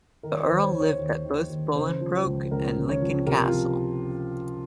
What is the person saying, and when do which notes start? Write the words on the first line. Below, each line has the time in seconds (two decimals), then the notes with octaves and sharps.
The Earl lived at both Bolingbroke and Lincoln Castle.
0.23 D#3 A#4
0.43 C5
0.49 D#2
0.62 C#5
0.74 D#3
0.80 C#5
0.99 D#2
1.25 D#3
1.50 D#2
1.75 C#3 C5
2.01 F3
2.26 C#2
2.51 C#2 A#4
2.77 C#3
2.89 C#5
3.02 F3
3.27 C3 A#4
3.45 F4
3.52 F3